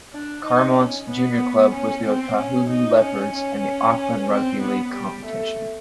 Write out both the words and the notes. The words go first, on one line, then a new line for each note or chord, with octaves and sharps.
Carmont's junior club was the Otahuhu Leopards in the Auckland Rugby League competition.
D4
D#4
C#4
B3
C#4
C4
C#4
D#4
C#4
C#4
C4
B3
G3
A3